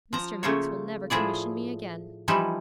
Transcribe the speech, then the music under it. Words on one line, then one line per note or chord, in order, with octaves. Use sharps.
'Mr. Max will never commission me again.'
F3 A#5
C#3 A3 A#3 F4 C5 C#5
A2 F3 E4 G#4 D5
E3 F3 G3 D#4 E4